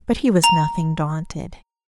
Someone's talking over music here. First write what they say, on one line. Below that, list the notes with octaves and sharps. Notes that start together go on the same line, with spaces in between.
'But he was nothing daunted.
A#5